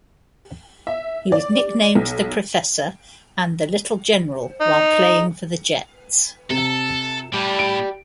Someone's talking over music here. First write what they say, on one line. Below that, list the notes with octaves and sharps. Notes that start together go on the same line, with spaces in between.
He was nicknamed "The Professor" and "The Little General" while playing for the Jets.
E5
D5
B1
D#4
C3 A4
A2 G4 D5
D7